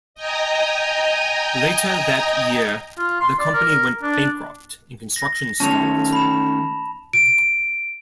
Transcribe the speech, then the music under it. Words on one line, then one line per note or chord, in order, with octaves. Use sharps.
Later that year the company went bankrupt and construction stopped.
D#5 G5 G#5 A#5 D#6
F4
C6
D5
A#4
D4
A#6
D#3 A3 C#4 A5 F7
B5 E7
D7